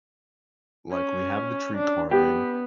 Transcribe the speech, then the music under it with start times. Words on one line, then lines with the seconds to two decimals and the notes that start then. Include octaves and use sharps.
like, we have the tree carving.
0.92 C#4
1.77 D4
2.11 B3 G4